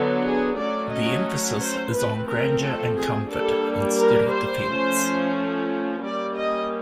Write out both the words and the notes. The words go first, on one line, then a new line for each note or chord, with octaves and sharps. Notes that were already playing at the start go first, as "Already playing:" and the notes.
The emphasis is on grandeur and comfort instead of defence.
Already playing: D3 F#3 B3 D4
G#4
F#3 A3 C#4 D5
D#5
C5
F3 A3 C4 B4
A#4
A4
G#4
G3 A#3 D4 A4
A#4
C5
F3 A3 C#4
G3 A#3 C#4 D5
D#5